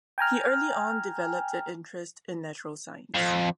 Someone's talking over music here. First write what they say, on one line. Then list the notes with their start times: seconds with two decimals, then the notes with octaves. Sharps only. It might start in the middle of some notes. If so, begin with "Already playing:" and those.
He early on developed an interest in natural science.
0.18 G5 G#5 A#5 F6
3.14 F2